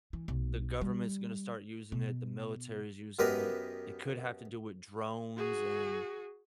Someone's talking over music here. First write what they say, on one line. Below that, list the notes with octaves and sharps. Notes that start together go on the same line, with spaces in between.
the government's gonna start using it, the military's using it. It could have to do with drones, and
E3
B1
G3
B2
F#2 B3 G4 A#4 B4 D#5
F#4 G#4